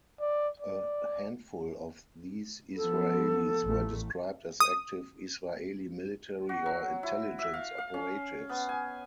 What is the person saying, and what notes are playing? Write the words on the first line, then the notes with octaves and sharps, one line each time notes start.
A "handful" of these Israelis were described as active Israeli military or intelligence operatives.
D5
D5
F3 B3 A4
A1 A3
D#6
F#4
F#3
E4
E5
F5
F5
C#4
B3
G#5